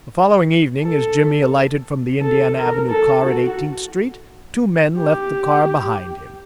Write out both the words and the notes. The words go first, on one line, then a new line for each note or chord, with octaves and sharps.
The following evening as Jimmy alighted from the Indiana Avenue car at Eighteenth Street, two men left the car behind him.
A4
A4
A#4
A4
F#4
G4